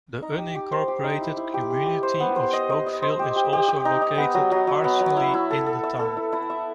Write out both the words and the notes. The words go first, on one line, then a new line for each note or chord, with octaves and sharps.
The unincorporated community of Spokeville is also located partially in the town.
D#4
G4
G4
C5
G4
D#4
E4
E4
G4
G4
G4
C5
B3
C5
D#5
D#5
D#5
C5
G4
G4
G4
G4
D#4
D#4
B3
F#3
F#3
F#3
B3
F#3
E4
E4
A4
A4
E5
A4
E4
E4
E5